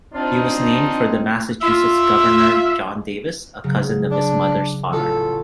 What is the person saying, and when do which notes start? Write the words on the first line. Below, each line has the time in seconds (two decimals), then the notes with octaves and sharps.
He was named for Massachusetts Governor John Davis, a cousin of his mother's father.
0.13 C4 D4 D#4 F4
1.63 F4 E5
3.64 C#3 F#3
4.11 D4
4.93 A1 F4 F#4 A4